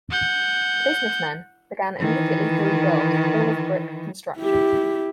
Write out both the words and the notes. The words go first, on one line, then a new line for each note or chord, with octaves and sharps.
The businessmen began immediately to rebuild, all of brick construction.
F#5 G6
D#3 E3
E4 G4